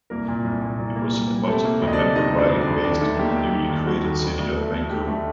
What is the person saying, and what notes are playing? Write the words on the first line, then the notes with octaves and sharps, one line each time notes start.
It was a multiple member riding based in the newly created city of Vancouver.
C2 A#3 A#4
A#2
C2
A#2
C2
A#3
G3
G3
C3 A3 A4
A#3
D2
D#5
D4 D5
C3
G3 D#4 D#5
D2 C5
D4 D5
D2
D4 D5
D2
D#2 D4 D5
D#3 A3 A4
A#3 G4
A#3 G4
D#3
D#2
G3 F#4
D#2
D2
D2
A3
A3
A3 G4
D3 A3 A4